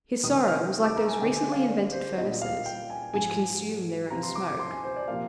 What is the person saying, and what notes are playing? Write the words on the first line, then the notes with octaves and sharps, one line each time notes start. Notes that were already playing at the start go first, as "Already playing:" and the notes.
His sorrow was like those recently invented furnaces which consume their own smoke.
C3 D#3 G3 D#6
F6
D6
A#5
G#5
D3 G3 C4 D#4 G5
G#5
F5
D5
C5
A#2 G3 A#3 D4 F4 D#5
F5
G5
G#5
G#2 F3 G#3 G#5
C3 F3 C4 F4 A#5
C6
D6
D6
C6
G#5
C5
D5
C3 F3 A#3 F5